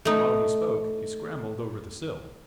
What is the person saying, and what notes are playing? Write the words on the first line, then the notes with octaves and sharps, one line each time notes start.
While he spoke, he scrambled over the sill.
A3 D#4